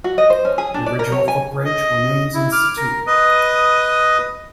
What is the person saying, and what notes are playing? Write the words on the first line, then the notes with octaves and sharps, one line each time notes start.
The original footbridge remains in situ.
F#4
D#5
C5
C#4
G#4
D4
D5
A#4
C#5
G#5
D#5
E4
D6 F6
A#4
B4 D#5 D#6